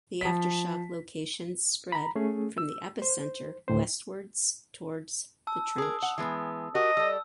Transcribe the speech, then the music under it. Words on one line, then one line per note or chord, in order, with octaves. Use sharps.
The aftershock locations spread from the epicenter westwards towards the trench.
F3 B6
A#5 B5
A3 C#4 G#4
E6
C5
D2 A2 C5
A5 E6
G#4 A#4 D#6
F#5
E3 G#3 B3
F#4 G4 A#4 D#5
G3 A4 E6